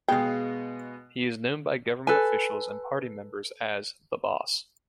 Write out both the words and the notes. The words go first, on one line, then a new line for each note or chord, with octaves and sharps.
He is known by government officials and party members as "the Boss".
B2 G#3 B3 G#4 F5 G5
A4 B4 G#5